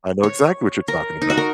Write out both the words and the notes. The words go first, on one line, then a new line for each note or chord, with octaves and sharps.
I know exactly what you're talking about.
C#5
A#4
D#4
F#4
A#4